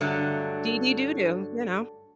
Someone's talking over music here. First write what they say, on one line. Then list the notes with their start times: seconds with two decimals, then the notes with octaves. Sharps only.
Dee Dee, Doo Doo, you know?
0.01 G2 D3 F#3 A3